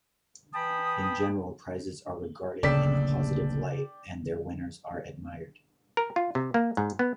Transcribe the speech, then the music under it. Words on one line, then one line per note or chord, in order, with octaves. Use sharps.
In general, prizes are regarded in a positive light, and their winners are admired.
E3 G5 A5 B5 D#6
D1 A#1 C#3 A4 D5 G5 A5 B6
A#4
F4
C3
A#3
G#2
B3